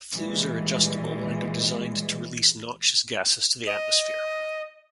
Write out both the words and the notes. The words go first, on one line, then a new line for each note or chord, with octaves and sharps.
Flues are adjustable and are designed to release noxious gases to the atmosphere.
A#2 E3 G3 G#3
D#5